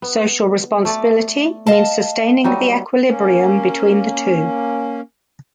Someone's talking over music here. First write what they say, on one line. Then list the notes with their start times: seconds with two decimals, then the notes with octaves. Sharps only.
Social responsibility means sustaining the equilibrium between the two.
0.02 B3
0.85 A3 D5
1.67 D#5 F5 A5
2.44 F#3 G3 D#4
3.08 A#3 C#4